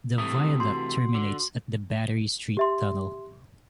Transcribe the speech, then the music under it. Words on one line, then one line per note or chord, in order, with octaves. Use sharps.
The viaduct terminates at the Battery Street Tunnel.
C3 E3 A3 D#6
F#4 C6
D3
G4 E5 C6